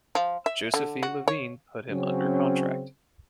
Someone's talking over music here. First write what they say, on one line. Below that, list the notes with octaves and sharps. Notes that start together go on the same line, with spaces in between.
Joseph E. Levine put him under contract.
F3
E5
D3
F#4
C#5
C#3 F#3 C4 C#4